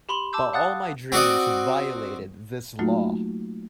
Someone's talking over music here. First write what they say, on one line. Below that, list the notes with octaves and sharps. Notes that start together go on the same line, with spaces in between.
But all my dreams violated this law.
G4 B5 C6 F#7 G7
A5 D6 E6 G6
F5 F#5 D#6 F#6 A6
C4 F#4 D5 D#5
F#3 A3 A#3 D#4 F4 F#4